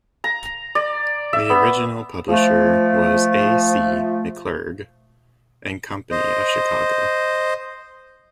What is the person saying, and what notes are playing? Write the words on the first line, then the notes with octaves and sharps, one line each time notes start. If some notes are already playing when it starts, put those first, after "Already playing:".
The original publisher was A. C. McClurg and Company of Chicago.
A#5
D5
E5
B3
F3 A3
C5 D#5